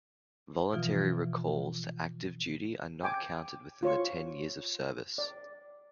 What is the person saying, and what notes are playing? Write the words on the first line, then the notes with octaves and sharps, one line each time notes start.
Voluntary recalls to active duty are not counted within the ten years of service.
B2 E3 F3 F4
G5 G#5 D6
F4 C#5 C#6
D5